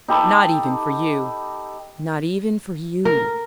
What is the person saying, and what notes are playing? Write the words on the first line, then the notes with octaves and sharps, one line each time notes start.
Not even for you--not even for you.
D#4 G4 A4 B5
A#4